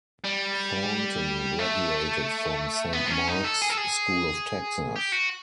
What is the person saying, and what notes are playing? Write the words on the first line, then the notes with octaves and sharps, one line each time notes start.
Thornton graduated from Saint Mark's School of Texas.
G3
A3
B3
C4
C#4
D#4
A4
G#4
A4
G#4
G4
F#4